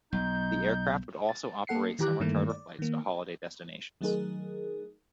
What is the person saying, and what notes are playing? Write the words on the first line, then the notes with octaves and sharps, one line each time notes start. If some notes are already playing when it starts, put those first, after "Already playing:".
The aircraft would also operate summer charter flights to holiday destinations.
B1 D#4 G6
A6
A#3 A4 F#5 C7 C#7
D#3 E3 G4 A#5 D6 F#6
G2 D#3 E3 A3 A#3
D5
D#3 A#3
D#3 F#3 A3 D#4 G#4 A#4